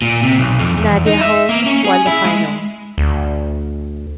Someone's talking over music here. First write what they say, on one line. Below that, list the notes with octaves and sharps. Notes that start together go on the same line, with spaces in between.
Nadja Holm won the final.
A#2
C3
B1
F2
E2
D#4
E5
A#3
C#4
G#4
E4
G#3
D2